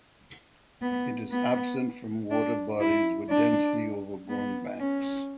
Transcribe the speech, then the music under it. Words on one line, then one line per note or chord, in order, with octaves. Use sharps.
It is absent from water bodies with densely overgrown banks.
B3
B3
D4
E4
D4
B3
C#4